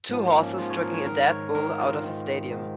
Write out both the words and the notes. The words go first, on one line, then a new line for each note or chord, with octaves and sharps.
Two horses dragging a dead bull out of a stadium.
G#2 F3
A#3
C#4
G#2 F3 F4
C#5
A#4
C#5
G#2 D#3 A#4
C#5
G#2 D#3 A#4
F4
G#2 D#3
G#2 D#3